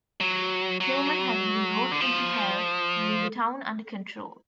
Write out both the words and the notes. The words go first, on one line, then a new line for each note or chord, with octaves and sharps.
Tilghman had been brought in to help bring the town under control.
F#3
F#3
D3
F3